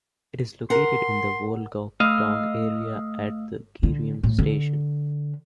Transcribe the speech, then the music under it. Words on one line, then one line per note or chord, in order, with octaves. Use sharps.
It is located in the Wolgok-dong area at Gireum Station.
A#4 F#5 C6
A3 D#5 F5 E6
D3
A2
D3